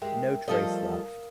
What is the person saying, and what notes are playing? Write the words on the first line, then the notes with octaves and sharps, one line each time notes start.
No trace left.
G#3 G4 A#4 E5 G5
F3 G3 A3 A4 A#4 D#5 F5 D#6